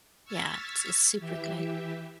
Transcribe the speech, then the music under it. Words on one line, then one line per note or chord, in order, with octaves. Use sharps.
Yeah, it's it's super good.
C#6 E6 F6 G#6 A6 B6
E3 G4 E5